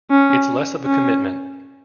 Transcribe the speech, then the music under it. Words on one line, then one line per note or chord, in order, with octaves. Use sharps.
It's less of a commitment.
C#4
C#4